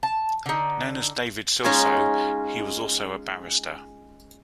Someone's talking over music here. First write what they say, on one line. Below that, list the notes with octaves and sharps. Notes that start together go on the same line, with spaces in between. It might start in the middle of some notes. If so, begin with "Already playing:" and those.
Known as David Silsoe, he was also a barrister.
A5
D3 D#4
G#3 C#4 D#4 F4 G#4